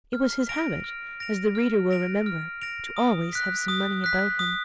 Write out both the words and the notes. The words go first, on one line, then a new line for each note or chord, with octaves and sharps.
It was his habit, as the reader will remember, to always have some money about him.
F6
A#6 D7 F7
F6
A#6 D7 F7
F6
A#6 D7 F7
F6
A#6 D7 F7
D#6
F#6 B6
D#6
F#6 B6
D#6